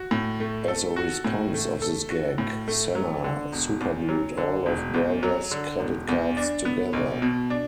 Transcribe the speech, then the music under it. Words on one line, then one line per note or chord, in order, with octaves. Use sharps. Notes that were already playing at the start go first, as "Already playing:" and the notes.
As a response to this gag, Senna superglued all of Berger's credit cards together.
Already playing: F#4
A2
A3
A4
F#4
A2
A3
A4
F#4
A2
A3
F#3
D3
E1
E2
F#3
D3
E1
E2
F#3
D3
E1
E2
D4
B3
B1
B2
D4